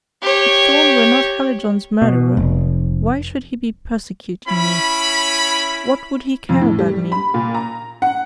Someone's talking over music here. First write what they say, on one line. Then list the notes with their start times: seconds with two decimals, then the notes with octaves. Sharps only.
If Thorn were not Hallijohn's murderer, why should he be persecuting me--what would he care about me?
0.22 G4 C#5
2.02 B2
2.37 F1
4.47 C#4 E4 B5
6.49 F2
6.61 A2
6.79 G3
7.12 B5
7.34 A#2
7.54 A#5
8.02 F#5